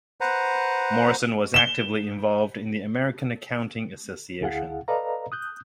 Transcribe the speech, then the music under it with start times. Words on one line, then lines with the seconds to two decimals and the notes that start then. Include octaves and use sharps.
Morrison was actively involved in the American Accounting Association.
0.21 B4 C5 F#5 A#5
1.54 E7 G7
4.41 D2 E4 G#4 F5 F#5
4.88 A4 B4 D5 D#5 F5 A#5
5.32 D#6 F#6 G6